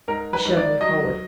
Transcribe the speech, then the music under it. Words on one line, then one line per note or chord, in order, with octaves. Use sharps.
He shoved me forward.
G#2 A#4
B4
G#2
D5
F#3 D#5